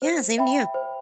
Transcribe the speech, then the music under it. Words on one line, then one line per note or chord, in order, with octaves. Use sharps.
Yeah, same to you.
C5
E5 G5 B5
C5